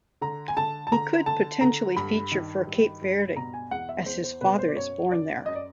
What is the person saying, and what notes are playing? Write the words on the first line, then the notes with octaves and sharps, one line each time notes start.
He could potentially feature for Cape Verde as his father is born there.
D3 A#5
G#5
D3 A5
A5
D3 A#5
D3 A5
D3 A#5
G2 B5
D#3
G2
G2
B2 A#5
G#5
E2 F#5
E5
E2 C5
C5
B2 B4
C5
D5
F#2 C#5
F#2 D5
F#2 D#5
D5